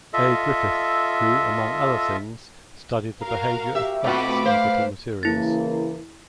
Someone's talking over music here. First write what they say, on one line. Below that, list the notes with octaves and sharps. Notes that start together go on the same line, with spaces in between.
A. Griffith who, among other things, studied the behavior of cracks in brittle materials.
F4 A4 D#5 E5
F#4 A#4 F5 A#5
G4 E5
B2 A3 C4 F4 F#4 B5 D6
B4 C5 F5
C#3 E3 A#3 E4 A6